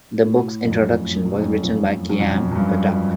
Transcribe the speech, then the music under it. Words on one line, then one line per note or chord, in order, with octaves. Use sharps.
The book's introduction was written by Chaim Potok.
A2
F2
F#2
G2
F#2
F2
F#2
F2
F#2
F2
F#2
F#2
G2